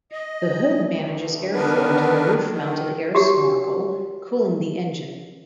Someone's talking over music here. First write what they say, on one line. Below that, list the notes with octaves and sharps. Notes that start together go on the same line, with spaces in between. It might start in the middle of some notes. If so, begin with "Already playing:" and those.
The hood manages airflow into the roof mounted air snorkel cooling the engine.
D#5
D2
D3 D#3 B3 D4 A#4 B4
D#3
F#4 G4 C#5